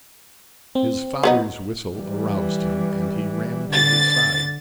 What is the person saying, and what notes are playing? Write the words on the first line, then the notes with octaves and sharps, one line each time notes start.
His father's whistle aroused him, and he ran to his side.
C4
F#3 B3 D#4
E3 G3
D3 A6